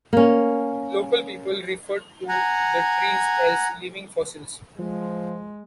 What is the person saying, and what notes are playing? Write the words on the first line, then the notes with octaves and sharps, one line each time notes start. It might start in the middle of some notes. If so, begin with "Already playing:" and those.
Local people refer to the trees as "living fossils".
A#3 C#4
F#5 G#5 A#5
F3 G#3